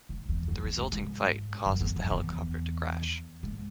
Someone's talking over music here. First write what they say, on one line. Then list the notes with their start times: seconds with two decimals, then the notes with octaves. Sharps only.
The resulting fight causes the helicopter to crash.
0.09 G#2
0.29 E2
0.48 F#2
0.63 E2
0.78 G#2
0.92 G#2
1.66 F#2
1.81 E2
1.96 F#2
2.11 E2
3.43 G#2